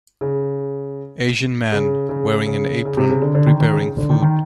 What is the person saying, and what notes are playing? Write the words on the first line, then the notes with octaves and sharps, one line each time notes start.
Asian man, wearing an apron, preparing food.
C#3
C#3
C#3
C#3
C#3
C3
C#3
D3
D3
D#3
D#3
C#3
D3
D#3
D#3